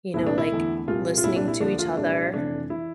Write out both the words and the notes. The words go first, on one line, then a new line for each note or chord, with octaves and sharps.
You know, like listening to each other
C2 A#2 A3 E4
D4
E4
E2 D3 A3
C2 A#2 G3 A#3 F4
F4
C2 A#2 G3 E4
D4
E4
D2 D3 F3 A#3 D4
F4
C2 A#2 G3 A#3 D4
F1 F2 E3 A3 D4
E3 E4